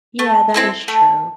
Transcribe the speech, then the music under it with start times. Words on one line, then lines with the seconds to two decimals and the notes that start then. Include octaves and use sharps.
Yeah, that is true.
0.19 A3
0.54 C4 E4 A4
0.88 A3